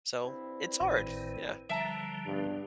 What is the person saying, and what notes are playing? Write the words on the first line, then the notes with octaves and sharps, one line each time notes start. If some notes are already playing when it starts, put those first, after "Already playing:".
So, it's hard! Yeah.
G2 C4 E4
G#1 A2 D#3
D3 F3 G3 E5 A5 A#5
C#2 G2 B3